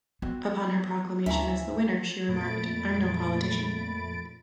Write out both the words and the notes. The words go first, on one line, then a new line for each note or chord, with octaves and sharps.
Upon her proclamation as the winner, she remarked, I'm no politician.
B3 C4 F#4
D2 C#3 E3 A3 E5 A#5
F2 A#2 A3 B5 A6 D7